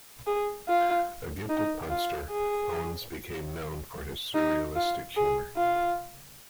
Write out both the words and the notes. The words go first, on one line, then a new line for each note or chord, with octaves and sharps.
A gifted punster, Owens became known for his surrealistic humor.
G#4
F4
D#4
F4
G#4
D#4
F4
G#4
F4